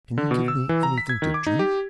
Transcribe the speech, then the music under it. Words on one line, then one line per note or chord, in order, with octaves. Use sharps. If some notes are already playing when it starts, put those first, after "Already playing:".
'Can you give me anything to drink?'
D3
B2
E6
E3
A#5
B6
G#6
D#3
D6
D#4
G4